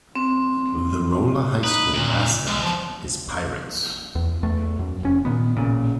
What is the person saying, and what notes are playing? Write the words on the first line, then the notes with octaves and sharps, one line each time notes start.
The Rolla High School mascot is Pirates.
C4
D#4 B4
C#2 A#2
E2 G#3
F3
E2
E2 A3
F#2
F1 C#4
A#2 D#3 B3
A1 A#2 C#3